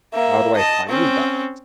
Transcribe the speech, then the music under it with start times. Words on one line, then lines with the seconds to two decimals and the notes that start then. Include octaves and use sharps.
"How do I find that?"
0.13 A#3 E5
0.57 D#5 A5
0.89 C4 C#4